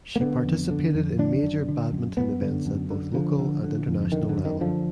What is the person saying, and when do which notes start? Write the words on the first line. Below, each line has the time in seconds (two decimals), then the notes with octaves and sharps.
She participated in major badminton events at both local and international level.
0.16 A#3
0.21 D3 B3
0.45 F2
0.71 D3
0.95 F2
1.18 D3 D4
1.43 F#2
1.68 D3
1.92 F#2
2.17 F#2 B3
2.41 D3
2.66 F#2
2.90 D3
3.14 D3 F3
3.39 D3
3.64 D3
3.88 F2
4.12 D3 D#3
4.29 D3
4.37 F#2
4.45 D#3
4.61 D3 F3